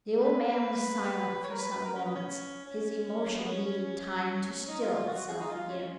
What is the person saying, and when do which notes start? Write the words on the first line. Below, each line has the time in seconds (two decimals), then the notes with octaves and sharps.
The old man was silent for some moments: his emotion needed time to still itself again.
0.23 B4
0.43 B4
1.44 C#5
1.50 A#4
1.58 B4
1.71 B4
1.84 A#4
1.95 C#4
2.05 B3
2.15 C#4
2.66 C#4
3.37 B3
3.47 C#4
3.66 C#4
4.68 D#4
4.81 F4
4.95 F4
5.07 F#4
5.28 G#4
5.40 D#4
5.48 F4
5.69 C#4